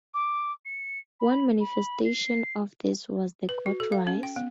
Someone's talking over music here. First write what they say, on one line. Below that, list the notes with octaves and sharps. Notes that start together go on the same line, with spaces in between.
One manifestation of this was the Got Rice?
D6
C#7
B5
B5
C7
B4
F#4
A4
F5
C#4
G5
B3